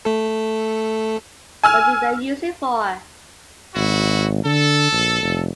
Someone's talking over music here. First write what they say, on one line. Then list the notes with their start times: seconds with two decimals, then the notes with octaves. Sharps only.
What do they use it for?
0.05 A3 A4
1.63 G#5 E6 F6
3.75 G#1 E4 F#4
4.45 D3 A4
4.92 A#1
5.22 F1